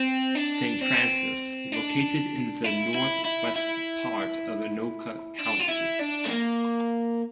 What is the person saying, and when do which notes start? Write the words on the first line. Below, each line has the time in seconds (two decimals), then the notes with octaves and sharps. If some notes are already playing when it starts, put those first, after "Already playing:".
Saint Francis is located in the northwest part of Anoka County.
Already playing: C4
0.35 D4
0.81 C4
1.72 D4
2.64 E4
2.94 E4
3.25 E4
3.56 E4
5.38 D4
5.60 F4
5.68 E4
6.00 D4
6.25 A3
6.30 A#3